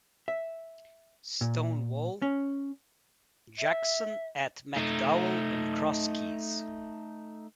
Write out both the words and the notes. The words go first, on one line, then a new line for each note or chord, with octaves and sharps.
"Stonewall" Jackson at McDowell and Cross Keys.
E5
A#2
C#4
E5
A3 D#4